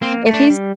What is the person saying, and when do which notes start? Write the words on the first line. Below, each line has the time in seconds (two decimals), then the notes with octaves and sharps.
if he's
0.02 A#3 C4
0.26 A3
0.33 D4
0.50 G3